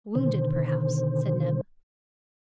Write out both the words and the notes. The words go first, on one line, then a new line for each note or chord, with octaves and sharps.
"Wounded, perhaps!" said Neb.
B2 D3 D#3 C5